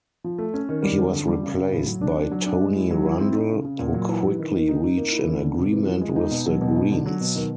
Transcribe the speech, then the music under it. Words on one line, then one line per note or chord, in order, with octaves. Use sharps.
He was replaced by Tony Rundle, who quickly reached an agreement with the Greens.
F3
A3
C#4
D#3
G3
G3
D3
G3
C#3
C#3
A2
F#3
D4
D4
F#3
D4
G#3
E4
F#3
E4
C4
D#4
C#3
C#3
A#2
F#3
E3
E3
D#3
D#3
D#4
D#4
A#3
E4
C#4
D3
C3
E3
F3
G#3
D#4
B2
F#3
B2
D#4
D3
F#3
B2
D#3